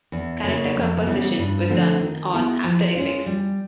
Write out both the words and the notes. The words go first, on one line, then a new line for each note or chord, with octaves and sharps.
Character composition was done on After Effects.
E2
C#3 F#3 A#3
F2
C#3 E3 G3 B3
G2
D3 F3 A3 C4
D#3
G#3 B3 E4 G#4
F3
G#3 C#4 F4
G3